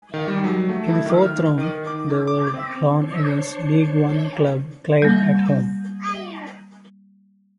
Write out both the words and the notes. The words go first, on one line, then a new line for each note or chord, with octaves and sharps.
In the fourth round they were drawn against League One club Clyde at home.
D#3
G3
F#3
A3
E4
D#3
F6
D#3
D6
D6
C4
D4 C5 C#5
G3 A#3